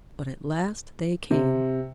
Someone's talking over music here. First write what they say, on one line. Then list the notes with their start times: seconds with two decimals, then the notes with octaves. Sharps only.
But at last they came.
1.31 C3